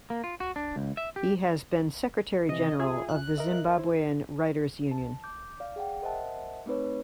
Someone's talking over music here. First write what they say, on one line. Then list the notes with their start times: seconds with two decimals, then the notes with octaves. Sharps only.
He has been secretary general of the Zimbabwean Writers' Union.
0.10 A#3
0.24 F4
0.40 F#4
0.56 D4
0.76 C#2
0.97 E5
1.16 G4
2.49 C3 E3 D#5
2.79 F4 G#4 E5 G#5
3.09 F#6
3.38 A#4 D#5 E5
3.78 E4 C5
4.91 A5
5.24 D6 G6
5.60 D5 F5
5.76 G#4 F#5 G5
6.02 A#4 C5 D#5 E5 F#5 A5
6.66 A3 C4 D#4 B4 C#5